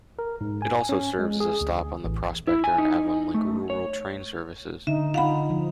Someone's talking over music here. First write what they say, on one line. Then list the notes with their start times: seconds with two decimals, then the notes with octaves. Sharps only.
It also serves as a stop on the Prospector and Avonlink rural train services.
0.19 A#4
0.41 G#2
0.62 G#5
0.89 C#4
1.19 G#3
1.40 G#4
1.61 D2
2.04 A1
2.47 E4
2.64 G#5
2.78 D#4
3.34 A3
3.70 C#5
4.87 D3 D#4 E5
5.14 D#4 F4 F5 F#5 B5
5.50 F3